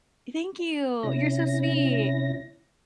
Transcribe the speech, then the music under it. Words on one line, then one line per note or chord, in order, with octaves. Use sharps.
Thank you. You're so sweet.
C3 C#4 E4 A#6